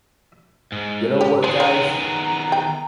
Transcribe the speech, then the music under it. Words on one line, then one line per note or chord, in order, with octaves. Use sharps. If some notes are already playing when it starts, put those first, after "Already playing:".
You know what, guys?
G#2
G4
D#3 B3 G#4 C5
C4 A#5
G5